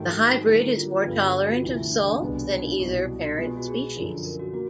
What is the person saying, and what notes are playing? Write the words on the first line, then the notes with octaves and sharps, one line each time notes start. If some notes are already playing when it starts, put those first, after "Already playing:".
The hybrid is more tolerant of salt than either parent species.
Already playing: G#2 D#3 F#3 A3
D#4
D#4
D3 G3 A#3 E4
F4
G2 D3 G3 B3
G4
F#4
F4
D2 C3 E3 A3 E4
D4
C2 B2 G#3 B3
D4
D#4
E4
C2 B2 F#3
B2 G#3 B3 F4
G4
F#4
G#4
F#2 D3 F3
A#4
F#4
A#3 F#4